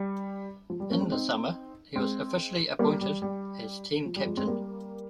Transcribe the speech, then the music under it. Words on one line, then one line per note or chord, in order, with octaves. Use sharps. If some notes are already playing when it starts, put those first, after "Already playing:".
In the summer, he was officially appointed as team captain.
Already playing: G3
F3
G3
A#3 C#4
G#3 C4
C4 D#4
G#3 C4
G3 A#3
G3
G3
F3
G3
F3 G#3
G#3 C4
G3 A#3